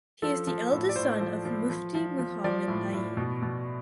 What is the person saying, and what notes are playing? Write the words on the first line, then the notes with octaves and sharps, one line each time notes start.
He is the eldest son of Mufti Muhammad Naeem.
F3 A4
F3
A2
D5
A2 C5
F3
F3
F3
F3
F3
F3 D5
A2
A2
B2
B2